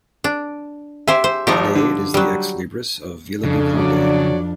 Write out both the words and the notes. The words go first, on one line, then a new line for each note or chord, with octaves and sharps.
Today it is the ex-libris of Vila do Conde.
D4
G4 C5 E5 G#5
C5
G#1 F3 D#4 G4
D3
F#3 G3
F2 C#3 D4
F#3 D5